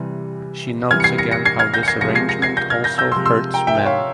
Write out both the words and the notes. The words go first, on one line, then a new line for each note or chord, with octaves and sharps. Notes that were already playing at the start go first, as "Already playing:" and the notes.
She notes again how this arrangement also hurts men.
Already playing: C3 E3 G3
C3 E3 G3 F6 G#6
C#7
G#6 C7
A#6 C#7
A#6 C#7
G#6 C7
F6 G#6
G6 A#6
C#7
G#6 C7
C3 F3 G#3 A#6 C#7
G#6 C7
A#6 C#7
G#6 C7
G6 A#6
F6 G#6
G6 A#6
E6 G6
C3 F3 G#3 C6 E6
C6 E6
G5 A#5
E5 G5
G5
C#5 F5